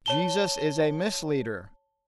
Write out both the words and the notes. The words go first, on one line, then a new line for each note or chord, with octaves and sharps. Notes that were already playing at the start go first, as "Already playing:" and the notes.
Jesus is a misleader.
C#5 A5 G7